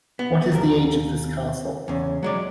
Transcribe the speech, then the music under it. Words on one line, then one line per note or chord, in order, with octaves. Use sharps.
What is the age of this castle?
B3
D#2 A#4
E2 C#3
F#3 G#3 D5